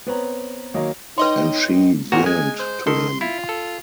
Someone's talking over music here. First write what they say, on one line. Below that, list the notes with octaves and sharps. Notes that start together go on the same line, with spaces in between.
And she yearned to him.
B3 C4 B4 C#5 A#5
D#3 F#3 A#3 A#4 C#5 D#5
D#4 B4 C#5 D#5 G5 C6
A1 A#2 F#4 A#4
G#3 G#5
C5
D#3 A4 C6
E4 F4
A4